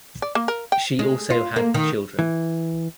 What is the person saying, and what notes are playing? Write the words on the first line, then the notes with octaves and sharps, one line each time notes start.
She also had the children.
D5
A#3
A#4
G5
G#3
F4
A#3
D#3
E3